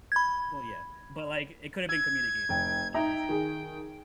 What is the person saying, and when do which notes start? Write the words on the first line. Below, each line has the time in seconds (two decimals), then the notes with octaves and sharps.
Well, yeah, but, like, it coulda been communicated obviously.
0.12 B5 G#6
1.89 E6 G#6
2.49 F1 G5
2.94 D#4 E5 G5 A#5
3.29 D#3 G#4